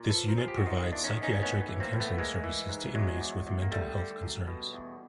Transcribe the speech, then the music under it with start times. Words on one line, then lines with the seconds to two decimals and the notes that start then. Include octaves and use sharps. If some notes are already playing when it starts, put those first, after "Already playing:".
This unit provides psychiatric and counselling services to inmates with mental health concerns.
Already playing: A#2
0.09 A4 B4
0.15 F3
0.28 A#4 C5
0.38 F3 G#4
0.48 G4
0.57 F#4
0.66 D#3 D#4 F4
0.92 E2 D4
1.04 C#4 D#4
1.17 D#3
1.23 C#4 D#4
1.43 A2 B3 C#4
1.69 E3
1.80 A#3 C4
1.93 A2
2.00 A3 B3
2.18 E3 G#3 A#3
2.44 E3
2.69 G#2
2.95 E2 F#3 G#3
3.21 E2
3.47 E2
3.62 A#3
3.71 D3 G3 A3
3.97 D3
4.22 F#2
4.47 B2
4.73 E2